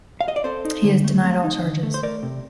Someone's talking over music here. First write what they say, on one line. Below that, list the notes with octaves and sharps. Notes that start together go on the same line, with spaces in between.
He has denied all charges.
F5
D#5
D5
C4 A4 C5
D#4
D3
A3
C4
D#4
D3
A3
C5
A3 A#4 D5
C3